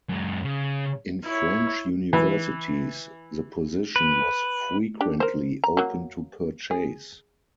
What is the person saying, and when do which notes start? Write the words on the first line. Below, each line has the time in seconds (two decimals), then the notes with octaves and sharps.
In French universities, the position was frequently open to purchase.
0.09 F#2 G#3
0.44 C#3
1.25 E4 C#5
2.13 E3
3.96 B4
5.01 D4 G4
5.20 A#4 C5
5.64 A#5
5.77 F#3 A#3
6.71 G#4